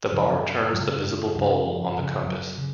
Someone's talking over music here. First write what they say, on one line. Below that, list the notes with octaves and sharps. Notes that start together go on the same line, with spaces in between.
The bar turns the visible bowl of the compass.
F#2 C#3 F3
F#3
F#2 C#3 G#3
F#2 C#3
F3
F#2 C#3
F#3
C#3